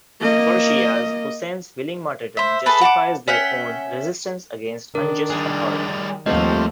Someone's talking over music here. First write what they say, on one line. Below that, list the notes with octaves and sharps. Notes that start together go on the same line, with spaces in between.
For Shias, Husayn's willing martyrdom justifies their own resistance against unjust authority.
A#3 D#5
C5 E5
G#4 A4 B4 A5
F#5 A5 C#6 D6
C#4 E5 F#5 G5
D#3 D4 A#4
G3 G#4 F#6
D#2 F3 G3 A3 C4 F4 D#5 F#5